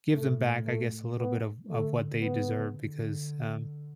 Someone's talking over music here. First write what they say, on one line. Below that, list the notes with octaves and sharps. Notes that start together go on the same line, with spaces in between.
give them back, I guess, a little bit of of what they deserve because, um,
A2 A3
A3
B3
D3 A3
C#3 B3
D3